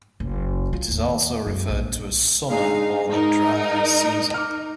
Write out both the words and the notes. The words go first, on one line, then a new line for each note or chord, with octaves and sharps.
It is also referred to as Summer or the Dry Season.
F#1
F4
D#2
F#2
A#1
G#3 D4 D#4 G#4 F5
G#2 D#4 A#4
D6 F6